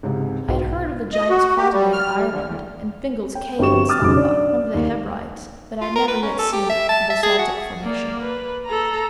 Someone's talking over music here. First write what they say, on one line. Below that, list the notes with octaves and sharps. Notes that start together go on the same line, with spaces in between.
I had heard of the Giant's Causeway in Ireland, and Fingal's Cave in Staffa, one of the Hebrides; but I had never yet seen a basaltic formation.
C#2 G#2 C3
B1 G#2 B2 F4
D#5
F#4
G4
G3
F6
G3
D3
E2
G5
G1 C4 F#4 G4 C#6 E7
D6 D#6 F6 A6
F1 B1 C#3 F#3 D6
D4 D5
D#2
F4
A#4
B4
C#4
A4
G4
E5
A5
E5
G#4
F#4
A#3 D5
B4
A4 A#5